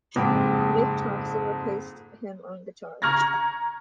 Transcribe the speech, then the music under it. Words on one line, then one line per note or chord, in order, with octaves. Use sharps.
Mick Thomson replaced him on guitar.
F#1 F2 G#2 G#3 G4 D6
A#5 C#6 F6 G#6 A#6